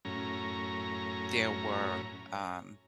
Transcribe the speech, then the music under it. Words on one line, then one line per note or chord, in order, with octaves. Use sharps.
there were, um,
F#2 A2 C#4 A#5